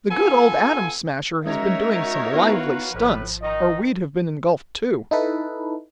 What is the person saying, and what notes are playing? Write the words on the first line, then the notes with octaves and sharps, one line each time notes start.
The good old Atom Smasher has been doing some lively stunts, or we'd have been engulfed too.
B3 F4 A4 G#5
G#3 C#4 D#4 F#4 A#4 C#5 E5 G#6
B3 D#4 E4 B4 F5 F#5
G#1 A2 F3 B4
D#3 D#4 D#5
D#4 E4 A4 B4